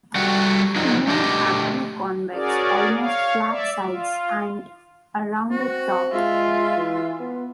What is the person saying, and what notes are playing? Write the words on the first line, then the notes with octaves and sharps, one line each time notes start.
Mere have two convex, almost flat sides and a rounded top.
G3 A3 F#4 F#5
D3 F3 F#3 D#4
A3 D4 G4 D#5
C#4 F#4 G#4 A#4 D5
C#5 F5
D5 E5
F4
C4 F#4
G#3 F4 E5
E3
B3